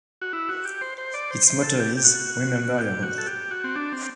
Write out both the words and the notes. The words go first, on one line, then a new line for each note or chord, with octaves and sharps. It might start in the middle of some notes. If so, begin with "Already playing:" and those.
Its motto is "Remember Your Oath".
F#4
E4
F#4
G4
C5
C5
D5
C5
C5
A4
G4
G4
F#4
G4
F#4
A4
G4
F#4
C4
D4
C4